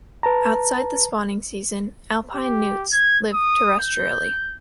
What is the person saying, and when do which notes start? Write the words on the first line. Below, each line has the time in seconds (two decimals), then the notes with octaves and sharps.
Outside the spawning season, Alpine newts live terrestrially.
0.23 B4 A5 A#5
2.34 G4
2.93 G#6
3.34 D#6
3.79 G6